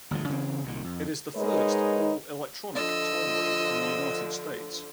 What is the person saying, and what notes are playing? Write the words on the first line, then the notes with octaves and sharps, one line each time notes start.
It is the first all-electronic toll road in the United States.
G1 D2 G#2 F3
C#3 E3 B3 C4
C2 A#2 D#3
F2
G#2 G#3 D#4 A#4 B4 C#5
D3 F3 D#5 E6